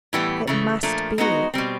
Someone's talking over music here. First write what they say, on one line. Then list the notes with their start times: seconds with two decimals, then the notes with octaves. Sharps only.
"It must be."
0.13 A2 E3 G3 B3
0.47 C#3 E3 A3
0.83 A#2 F3 A3 D4
1.18 G#3 B3 D#4 F#4
1.54 B2 G3 C4